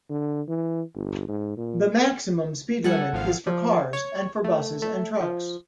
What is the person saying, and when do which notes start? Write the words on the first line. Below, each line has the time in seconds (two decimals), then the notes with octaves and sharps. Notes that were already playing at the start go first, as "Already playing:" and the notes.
The maximum speed limit is for cars and for buses and trucks.
0.10 D3
0.48 E3
0.95 G1
1.28 G#2
1.57 A#2
2.84 G3 A4 F#5 G#5
3.12 G#1 F3 F5
3.47 F3
3.93 C#5
4.44 A3
4.82 A3
5.21 F3